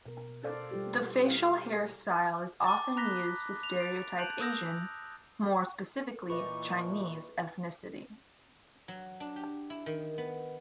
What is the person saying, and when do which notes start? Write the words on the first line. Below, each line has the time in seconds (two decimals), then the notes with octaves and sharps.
The facial hair style is often used to stereotype Asian, more specifically Chinese, ethnicity.
0.06 B2 A#4
0.44 A4 C5 D5 F5
0.71 G3 F4 G4
1.27 E4 F5
2.64 A5 D6 D#6 A6
2.96 A#5 B5 F#6 A#6 B6 G7
3.63 F7
3.80 A6 D7
4.18 A5 F#6 G6 D7 F7 F#7
4.40 D#6 E6 G6 A#6
6.30 A#2 E3 D4 D#4 G4 B4 C#6
8.88 F#3
9.20 D4
9.36 G4
9.70 E4
9.86 D#3
10.18 B3